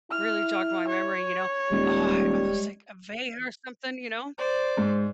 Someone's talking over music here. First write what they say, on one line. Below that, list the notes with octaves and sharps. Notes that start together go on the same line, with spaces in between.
really jog my memory, you know. Oh, I almost like a vein or something, you know?
E4 F6
C#5
D#1 G3 G#3
C5 D5
G#2